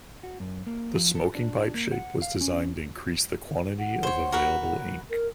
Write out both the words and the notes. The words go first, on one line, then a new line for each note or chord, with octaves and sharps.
The "smoking pipe" shape was designed to increase the quantity of available ink.
F#4
F#2
A#3
F3
A4
D4
A#3
F#5
F5
C#4
F#5
C5 C#5
F#4 A#4 B4
A#4